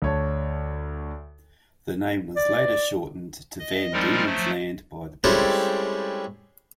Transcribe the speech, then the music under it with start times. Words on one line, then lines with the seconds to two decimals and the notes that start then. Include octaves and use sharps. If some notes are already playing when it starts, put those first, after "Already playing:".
The name was later shortened to Van Diemen's Land by the British.
0.02 D2 C#5 A5
2.36 D5
3.59 D#5
3.93 F3 G3 G#3 C4 D#4 A#4
4.26 F3 F#3 A3 C5
5.24 G3 G#3 C4 C#4 E4 A4